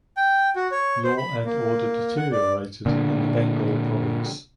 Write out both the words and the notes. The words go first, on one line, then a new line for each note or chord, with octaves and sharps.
Law and order deteriorated in the Bengal province.
G5
F#4
C#5
C5
B5
A#3
F#5
D5
A#2 D3